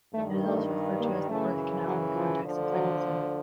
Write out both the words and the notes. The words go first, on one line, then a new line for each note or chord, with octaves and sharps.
It is also referred to as the birth canal in the context of pregnancy.
G2 D#3 A3
A3
A#3
F#2 C#3 E3 A3
F#3
F3
D2 D3 F3
F#3